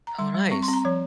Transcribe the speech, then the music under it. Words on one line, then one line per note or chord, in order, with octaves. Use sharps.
Oh, nice.
A#5
G3 C6
G3
C4 C#6
C6
C4 A#5
F3 C#5